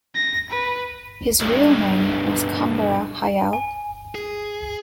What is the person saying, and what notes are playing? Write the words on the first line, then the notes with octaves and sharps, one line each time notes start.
His real name was Kambara Hayao.
A#6
B4
B1 G2
G#5
G#4